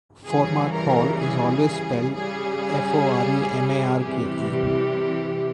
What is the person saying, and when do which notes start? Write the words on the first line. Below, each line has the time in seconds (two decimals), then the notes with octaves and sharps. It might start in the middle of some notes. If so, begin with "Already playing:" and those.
Foremarke Hall - is always spelled "Foremarke".
0.25 C#3 E3 G3 G#4
0.72 A#4
1.19 G#4
2.13 C#3 G3 G#4
4.01 C3 E3 G3 G4